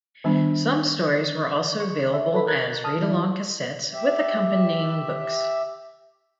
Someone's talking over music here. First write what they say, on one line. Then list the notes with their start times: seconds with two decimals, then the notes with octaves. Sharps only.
Some stories were also available as read-along cassettes with accompanying books.
0.24 D#3 G3 B3 D4
1.80 C#6
2.13 E5
2.34 A4 B4 B5
2.47 A#4 F#6 G#6 A6
2.84 A5 D#6 F6
2.99 E3 E4
3.93 G4 E5